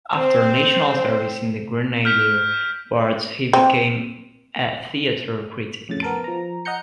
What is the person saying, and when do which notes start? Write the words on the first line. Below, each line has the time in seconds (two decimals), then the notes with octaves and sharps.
After National Service in the Grenadier Guards he became a theatre critic.
0.15 C4 C5
2.05 F6 G6 B6 D7
3.53 C4
5.89 F2 A2 C#3 A6
6.03 B3 A#4 A5
6.24 F3 A#5
6.65 D#5 F#5 A#5 G6 C#7